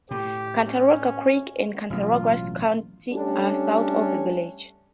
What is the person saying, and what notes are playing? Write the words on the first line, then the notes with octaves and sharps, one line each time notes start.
Cattaraugus Creek and Cattaraugus County are south of the village.
A2 G4
C#4
A1 B2 F#3 F4
G3 A3 C#4 D4